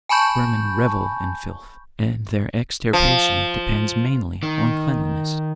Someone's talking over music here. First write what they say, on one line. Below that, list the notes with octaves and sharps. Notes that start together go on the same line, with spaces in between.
Vermin revel in filth, and their extirpation depends mainly on cleanliness.
G#5 A5 B5 C#6 G6
F3
D#3